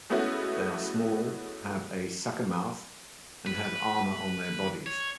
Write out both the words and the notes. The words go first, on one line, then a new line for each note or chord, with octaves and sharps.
They are small, have a suckermouth, and have armor on their bodies.
G#3 A3 B3 C#4 E4 F#4
B4
C#5